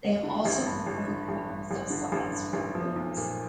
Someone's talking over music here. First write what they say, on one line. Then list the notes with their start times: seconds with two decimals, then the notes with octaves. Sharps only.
They have also performed covers of songs from films.
0.23 D3
0.45 A1
0.66 G2
0.86 A1
1.08 D3
1.28 A1
1.50 G2
1.71 A1
1.90 D3
2.12 A1
2.32 G2
2.53 A1
2.75 F3
2.96 B1
3.17 A#2